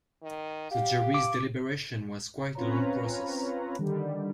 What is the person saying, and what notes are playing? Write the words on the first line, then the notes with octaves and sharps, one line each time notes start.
The jury's deliberation was quite a long process.
D#3
G4 F5
D6
C4 C#4 F4 B4 C#5 A#5
D3 D#3 G3